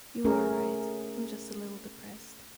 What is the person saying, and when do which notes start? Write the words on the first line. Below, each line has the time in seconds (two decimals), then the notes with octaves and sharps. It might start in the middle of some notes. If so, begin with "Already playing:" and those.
You are right. I'm just a little depressed.
0.24 A3 C#4 G#4 A#4